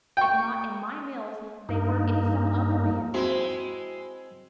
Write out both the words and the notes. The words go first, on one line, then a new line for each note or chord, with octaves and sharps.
If not in my mills, they work in some other man's mills.
G5 C#6
G2 A#3 D#4
G#3 C4 E4 F#4